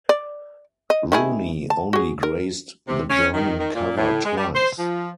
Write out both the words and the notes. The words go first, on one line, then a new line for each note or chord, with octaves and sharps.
Rooney only graced the German cover twice.
D5
D#5
D#3 E4 G#4
A5
F#4 G#4
A#4
C3
C#4
D#3
D#3
A#2
A2
G#3
G3
C5
F3